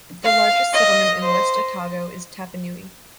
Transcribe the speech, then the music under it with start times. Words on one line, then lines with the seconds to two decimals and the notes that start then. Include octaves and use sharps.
The largest settlement in West Otago is Tapanui.
0.24 F5
0.73 D#5
1.22 C5